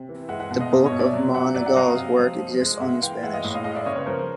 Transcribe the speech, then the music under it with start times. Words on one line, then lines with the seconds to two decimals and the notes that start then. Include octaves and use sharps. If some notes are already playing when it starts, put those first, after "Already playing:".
The bulk of Monegal's works exists only in Spanish.
Already playing: C3
0.09 E3
0.29 G#3 E5 F#5
0.40 E5 F#5
0.50 B2 E5 F#5
0.60 D#5 F5
0.71 B2
0.85 C#5 D#5
0.92 B2
0.99 D5 E5
1.13 F#3
1.34 F#3 E5 F#5
1.55 F#3 D5 E5
1.66 F#5
1.76 F#3 D#5 F5
1.97 C3
2.19 F3
2.38 F3
2.60 G#3
2.80 G#3 E5 F#5
3.01 E3 F5 G5
3.23 G#3 E5 F#5
3.33 D#5 F5
3.44 A2
3.54 D#5 F5
3.64 G#3 D#5 F5
3.75 D5 E5
3.85 C#3 C#5 D#5
3.96 B4 C#5
4.06 F3 A#4 C5